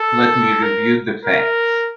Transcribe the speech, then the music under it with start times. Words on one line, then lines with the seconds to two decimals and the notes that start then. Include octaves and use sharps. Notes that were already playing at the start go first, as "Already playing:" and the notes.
Let me review the facts.
Already playing: A4
0.63 A#4
1.25 A#4